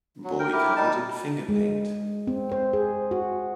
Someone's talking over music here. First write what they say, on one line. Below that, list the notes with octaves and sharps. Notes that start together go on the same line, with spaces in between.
Boy covered in finger paint.
F#3
A#4 G5
E4 G4 A#4
G3 D#4 A5
G#3
C4
C5
G#4
F#4